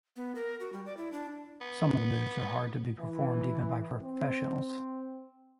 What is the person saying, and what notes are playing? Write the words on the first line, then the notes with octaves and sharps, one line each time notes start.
Some of the moves are hard to be performed even by professionals.
B3
A#4
F#4
G3
D5
E4
D4
B3
E3
C4